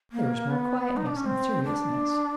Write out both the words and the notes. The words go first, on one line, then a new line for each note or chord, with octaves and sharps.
There is more quietness and seriousness.
A#3
B3
D#4
D4
C#4
C4
D4